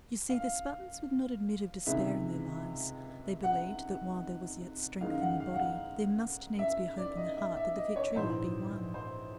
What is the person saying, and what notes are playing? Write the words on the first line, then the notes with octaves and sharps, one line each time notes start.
You see, the Spartans would not admit of despair in their lives; they believed that while there was yet strength in the body, there must needs be hope in the heart that the victory would be won.
F5
C#2 C3 D#3 G#3 E5
F#5
F#2 D#3 G#3 F5
F#5
F5
F#5
F5
E5
D5
D#5
E5
E5
D#5
C#5
A#1 G#2 E3 C5
C5